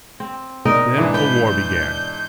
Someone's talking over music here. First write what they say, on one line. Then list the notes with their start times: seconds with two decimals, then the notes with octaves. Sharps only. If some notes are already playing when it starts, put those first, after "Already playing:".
Then a war began.
0.20 C4
0.65 B2 D#4 A#4 D5 D#5
0.98 G#2 E3 D4
1.14 B4 G6